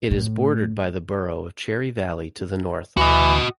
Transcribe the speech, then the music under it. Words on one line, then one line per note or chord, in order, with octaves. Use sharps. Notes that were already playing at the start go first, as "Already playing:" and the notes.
It is bordered by the borough of Cherry Valley to the north.
A2
D2 E3 F#4 D#5